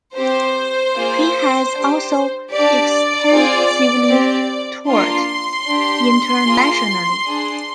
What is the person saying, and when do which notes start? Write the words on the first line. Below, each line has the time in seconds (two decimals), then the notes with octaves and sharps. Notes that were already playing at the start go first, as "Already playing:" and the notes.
He has also extensively toured internationally.
0.16 C4 G4 C5
0.95 A#3 F4 G#4
1.74 D4 G4
2.52 D4 G4 D5
3.31 C4 F4 G#4
4.10 C4 G4
4.88 A#3 D4 F4 C6
5.67 D4 G4
6.46 A#3 F4 G#4
7.25 D4 G#4